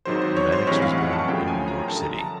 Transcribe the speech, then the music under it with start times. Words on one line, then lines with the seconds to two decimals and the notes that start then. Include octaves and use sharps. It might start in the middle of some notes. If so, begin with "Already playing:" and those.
Mannix was born in New York City.
0.05 G#1 G#2 D#3 F#3 C5
0.22 C5
0.36 C#5
0.52 C5
0.67 A1 G2 E3 G#3 C4 C#5
0.82 F5
0.98 F#5
1.13 A5
1.28 F#2 C#3 F3 A3 G5
1.48 G#5
1.68 A#5
1.84 A#5
1.88 F#2 D3 G3 A5
2.03 A#5
2.19 A5